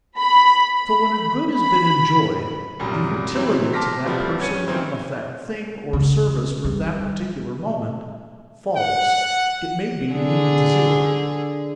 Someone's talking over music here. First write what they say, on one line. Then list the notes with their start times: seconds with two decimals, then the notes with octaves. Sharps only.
So, when a good has been enjoyed, the utility to that person of that thing or service for that particular moment, falls, it may be even to zero.
0.18 B5
0.77 B5
1.55 B5
2.79 C2 F#2 A#2 G3
3.34 C3 E3 F#3 C4
3.73 A5 C6 D6 F6 A#6 B6
4.05 F3 G3 A3 B3 C4
4.39 G2 C#4 G#6 C#7 D#7
4.68 D#3 E3 A#3 C4
5.93 C#3
6.65 G3
8.76 F#5
10.12 D3 G#4